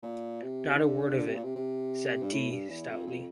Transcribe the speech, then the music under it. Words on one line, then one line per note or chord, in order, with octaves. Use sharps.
"Not a word of it," said T., stoutly.
A#2
C3
E3
D3
D3
C3
A#2
C3
C3
G2
A2
G2
E2
F2
F2